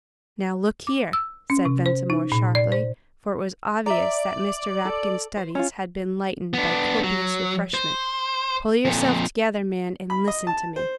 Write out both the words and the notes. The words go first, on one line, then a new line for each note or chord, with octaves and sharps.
"Now, look here," said Ventimore, sharply--for it was obvious that Mr. Rapkin's studies had been lightened by copious refreshment--"pull yourself together, man, and listen to me."
D6
E6
C#4
C3
C5
D#4
A#2
D5
C5
D5 E5 A#5
A4
C5
C#4 F4
B3 D4
F#3
C5
F2 A#2
B5
D#5
A5
C5